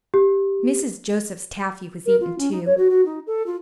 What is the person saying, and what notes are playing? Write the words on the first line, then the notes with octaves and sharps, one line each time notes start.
Mrs. Joseph's taffy was eaten too.
G4
A#4
F4
C#4
D#4
C#5
F#4
F#4
D#4
A4
F4